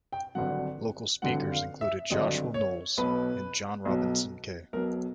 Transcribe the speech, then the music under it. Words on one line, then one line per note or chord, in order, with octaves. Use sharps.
Local speakers included Joshua Knowles and John Robinson Kay.
G5
G#1 G2 D3 F#3 F#5
G#1 G2 D3 F#3 F#5
F5
E5
G#1 G2 D3 F#3 D#5
C#5
B1 B2 F#3 B4
B1 B2 F#3
B1 B2 F#3 A#4